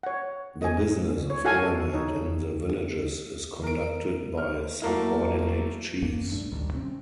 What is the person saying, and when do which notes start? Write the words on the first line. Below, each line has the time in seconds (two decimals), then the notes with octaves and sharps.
The business of government in the villages is conducted by subordinate chiefs.
0.03 C#5 F#5
0.62 D#5 G#5
1.30 C#5
1.44 E4 F#4 A4 F5 F#5 G#5
1.63 A4
1.93 D#4 C#5
3.63 A#4 D7
4.37 F6
4.82 F#3 A3 A#3 E4
6.02 F#2 E3 A#3 C#4
6.32 B1 G2 A3 D4
6.51 A1 D2 D#3 G3
6.74 C3 C4 C#4